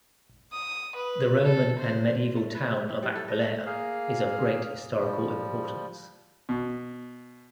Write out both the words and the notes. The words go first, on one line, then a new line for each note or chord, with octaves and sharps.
The Roman and medieval town of Aquileia is of great historical importance.
D#6
B4
A4
C5
A3
B4
G4
E4
G3
A4
D#5
A#3 G#4 F5
F3 G3
B2